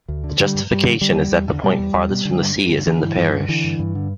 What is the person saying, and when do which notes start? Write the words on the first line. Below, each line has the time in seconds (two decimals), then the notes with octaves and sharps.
The justification is that the point farthest from the sea is in the parish.
0.08 D2
0.24 D3
0.40 D3 G3
0.55 G2
0.71 G2 G3
0.87 D3
1.01 D3 G3
1.16 E2
1.32 E2
1.48 D3
1.63 B2 G3
1.79 E2
1.94 E2
2.09 B2
2.25 D3
2.41 G2
2.56 G2
2.71 D3
2.87 D3 E3
3.02 G2
3.18 G2
3.34 D3
3.48 D3 E3
3.64 G2
3.79 G2
3.95 D3